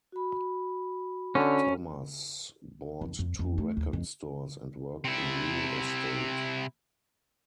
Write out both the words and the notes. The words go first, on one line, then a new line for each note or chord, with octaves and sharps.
Thomas bought two record stores and worked in real estate.
F#4 B5
D3 C#4
F2
F2
F2
A3
D#2
F2
C3 E4